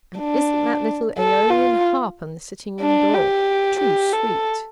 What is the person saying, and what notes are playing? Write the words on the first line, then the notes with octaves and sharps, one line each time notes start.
"And isn't that little Aeolian harp on the sitting room door too sweet!"
D4
A4
F4
D4
G4
G4
A4